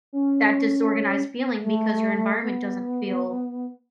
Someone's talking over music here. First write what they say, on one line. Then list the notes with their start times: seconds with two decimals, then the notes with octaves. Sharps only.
that disorganized feeling, because your environment doesn't feel
0.13 C#4
1.61 A3
2.43 B3